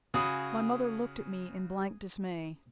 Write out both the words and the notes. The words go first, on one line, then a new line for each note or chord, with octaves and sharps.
My mother looked at me in blank dismay.
C#3 F#4 G#4 B5